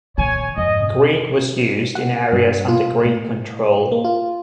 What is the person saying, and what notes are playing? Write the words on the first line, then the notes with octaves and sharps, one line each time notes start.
Greek was used in areas under Greek control.
A#2 D#3 C#5 G#5
F2 G#2 D#5
F#5
G2
F4
A2
A#3
F4